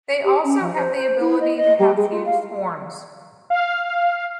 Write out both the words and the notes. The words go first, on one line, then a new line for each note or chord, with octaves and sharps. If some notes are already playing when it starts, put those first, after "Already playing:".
They also have the ability to have fused horns.
G4
C#4
F3
C5
C5
E4
D#5
D#5
G3
G#3
F4
F5
F5